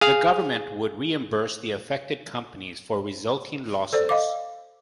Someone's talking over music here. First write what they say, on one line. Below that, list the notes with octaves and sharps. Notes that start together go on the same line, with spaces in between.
The government would reimburse the affected companies for resulting losses.
G#4 F5
A4 C5 D5
D#5 F5 D6